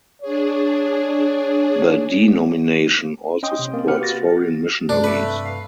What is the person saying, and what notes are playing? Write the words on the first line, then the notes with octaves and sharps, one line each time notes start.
The denomination also supports foreign missionaries.
D4 G#4 C#5
C#4 D#5 G5 C6 D#6
C3
A#3 C4
G4 B4 F#5 F6
F#4 A6 A#6
G2 C3 D4
A3 B4
F5